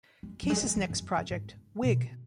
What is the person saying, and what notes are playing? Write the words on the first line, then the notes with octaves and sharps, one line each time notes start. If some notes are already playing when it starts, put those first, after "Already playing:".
Case's next project, Wig!
G#3
F#3
G#3
F#3
E3
F#2
F#2
G#2
B2